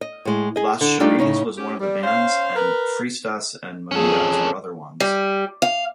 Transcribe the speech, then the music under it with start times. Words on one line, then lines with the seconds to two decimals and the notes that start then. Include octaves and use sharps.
Las Cheris was one of these bands and Fresitas and Monedas were other ones.
0.01 D#5
0.25 A2 G#3
0.56 G#4 D#5
0.81 D3
1.00 G3 A3 D4 D#4 F4 G4
1.19 A2 C#3 C#4 D#4
1.58 C#4 G4
1.80 G3
2.03 C#4 C5 F5
2.56 A#4 B4
3.91 F2 C#4 G#4 A4
5.00 G3
5.62 F5